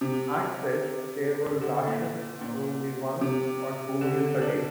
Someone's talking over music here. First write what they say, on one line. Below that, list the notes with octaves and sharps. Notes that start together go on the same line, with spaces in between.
At best there were rations for only one or two meals a day.
C3
D3
A#2
A#2
C3
D3
D4